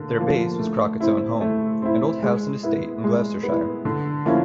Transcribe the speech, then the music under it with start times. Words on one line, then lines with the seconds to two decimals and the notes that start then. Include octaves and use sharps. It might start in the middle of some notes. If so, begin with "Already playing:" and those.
Their base was Crockett's own home, an old house and estate in Gloucestershire.
Already playing: D3 A#3
0.19 F3 A#3
0.60 A3
1.00 C4 E4
1.41 A3
1.82 C4 E4
2.22 G#3
2.63 B3 E4
3.04 G#3
3.43 B3
3.48 E4
3.85 D3
4.26 F3 A#3 C#4 E4